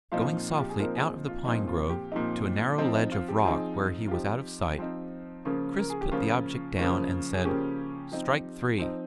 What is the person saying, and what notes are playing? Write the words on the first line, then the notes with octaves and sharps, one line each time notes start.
Going softly out of the pine grove to a narrow ledge of rock where he was out of sight, Chris put the object down and said: "Strike three."
A#2 F3 C4 D#4 F5
F4
G4
G#4
A#2 F3 C4 D#4 A#4
G#4
F4
A#2 F3 C4 D#4
F4
G4
A#2 F3 C4 D#4
F3 C4 D#4 F4
D#4
F4
G4
F3 C4 D#4 G#4
F4
F3 C4 D#4 G4
F3 C4 D#4
C#3 F3 A#3 C#4 F4
A#4
G#4
G4
C#3 F3 A#3 C#4 F4
C#3 F3 A#3 C#4
G#4
C#3 F3 A#3 C#4 G4
F3 C4 D#4
F3 C4 D#4